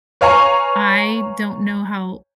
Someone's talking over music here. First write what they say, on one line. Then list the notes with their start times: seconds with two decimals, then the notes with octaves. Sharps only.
I don't know how
0.21 B4 C#5 F5 G#5 A#5 C#6